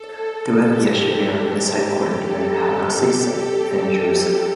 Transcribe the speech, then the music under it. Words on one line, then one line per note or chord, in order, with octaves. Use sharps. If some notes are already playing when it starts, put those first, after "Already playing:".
The Web Yeshiva is headquartered on HaNassi Saint, in Jerusalem.
Already playing: A4
G4
A4
G4
A4